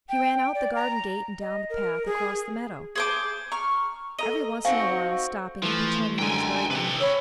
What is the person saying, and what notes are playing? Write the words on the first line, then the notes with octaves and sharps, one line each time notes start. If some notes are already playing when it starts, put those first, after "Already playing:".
He ran out the garden gate and down the path across the meadow, every once in a while stopping and pretending he was very angry.
G5
D5
A#5
D#5
A#4
G#4
G#4 C5 D6
A#5 C#6 F6
A4 D#5 A#5 D#7
C4 D#4 F#4 C5 F5 G#5
E3 F3 A3
F#2 D3 G#3 G5 G#5
C3 A4 B4
C#5 B5 C#6 E6